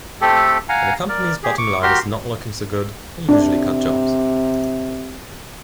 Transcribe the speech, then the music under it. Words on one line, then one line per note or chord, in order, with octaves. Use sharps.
When a company's bottom line is not looking so good, they usually cut jobs.
A3 C4 G4 A4
F5 F#5 G#5 A#5
A#4 D5
G4 G#4
C#6 D6
F#4 G4 A#4 C6
C3 D4